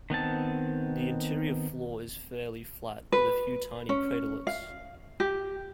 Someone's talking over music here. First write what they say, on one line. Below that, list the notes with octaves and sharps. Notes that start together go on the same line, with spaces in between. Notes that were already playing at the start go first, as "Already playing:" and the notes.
The interior floor is fairly flat, with a few tiny craterlets.
D#3 B3 C4 A5
B4
C#4
F5
G4